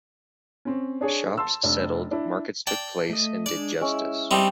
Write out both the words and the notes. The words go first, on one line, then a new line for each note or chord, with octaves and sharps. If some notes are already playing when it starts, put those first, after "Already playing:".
Shops settled, markets took place and did justice.
C4 C#4
D4 G#4 C#5
A5 C6 E6
F1 D4
D4 E4
D5 G5 A5
A3 D#5
G#3 D4 D5
G#3 C#4 E4
G3 C4 D#4 E5 G5 A5